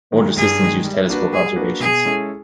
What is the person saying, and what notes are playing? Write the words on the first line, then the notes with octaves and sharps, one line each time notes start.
Older systems use telescope observations.
D#3 G#3
G2 G#4
D#3 G#3
G3
A#3 D4 F#4 B4
G3 G#4
A#3 D4 F#4 B4
B2 G#4
G#3 C#4 E4 A4